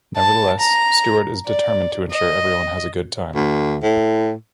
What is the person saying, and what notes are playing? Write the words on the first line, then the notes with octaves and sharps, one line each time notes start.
Nevertheless, Stuart is determined to ensure everyone has a good time.
A5
A#5
D5
D#5
D2
A2